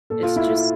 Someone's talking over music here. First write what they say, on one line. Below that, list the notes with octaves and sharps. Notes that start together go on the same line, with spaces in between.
It's just
A#2 A4
F4
E4